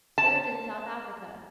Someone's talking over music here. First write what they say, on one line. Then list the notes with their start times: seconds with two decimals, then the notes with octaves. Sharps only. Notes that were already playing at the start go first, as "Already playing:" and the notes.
Served in South Africa.
0.18 A5